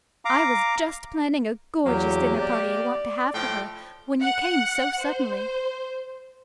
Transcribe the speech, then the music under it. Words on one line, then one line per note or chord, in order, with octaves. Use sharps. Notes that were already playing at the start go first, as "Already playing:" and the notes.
I was just planning a gorgeous dinner-party I want to have for her when you came so suddenly.
F5 A#5 D6
E2 F#3 A#3 G4
D5
A2 F3 G5
F#5
C5